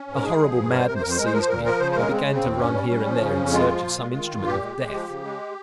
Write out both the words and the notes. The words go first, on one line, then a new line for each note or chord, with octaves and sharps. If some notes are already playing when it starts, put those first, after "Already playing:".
A horrible madness seized me; I began to run here and there in search of some instrument of death.
Already playing: C#4
G#2
A#4
G#3 G#4
F3
G2
G3 A#4
C5
C3 A#4
C5
F2 A#4
C5
G#3 A#4
C5
F3 A#4
C5
A#2 A#4
F3 A#4
C#3 C5
C5
G#3 A#4
G#3 C4
C#3
C4
D#2
G2 C#4
G3
G3
F3
C#3
F2
G#3 F4
F3
A#2
G#3
D#3
G2
A#2 G4
G#3
G#3
F3
C#3
G#3